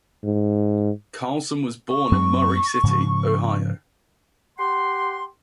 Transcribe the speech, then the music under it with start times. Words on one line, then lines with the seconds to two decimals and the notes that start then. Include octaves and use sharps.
Carlson was born in Murray City, Ohio.
0.24 G#2
1.89 C#6
2.12 F#2 F#3 C4
2.83 G#2 C#3 F3
4.59 G4 F#5 C6